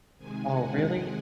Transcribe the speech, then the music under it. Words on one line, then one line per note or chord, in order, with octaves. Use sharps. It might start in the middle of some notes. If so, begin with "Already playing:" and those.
Oh, really?
C3 D#3 G#3 G#5
F#5
F#5